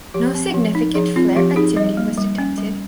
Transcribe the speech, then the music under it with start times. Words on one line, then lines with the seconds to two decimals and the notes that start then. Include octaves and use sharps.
No significant flare activity was detected.
0.14 F3 G4
0.35 C4
0.54 F3
0.75 D#4
0.95 F3 G#4
1.16 C4 F4
1.36 F3 G4
1.56 D#4 G#4
1.76 G3 D#5
1.97 A#3
2.17 G3
2.38 C#4
2.58 G3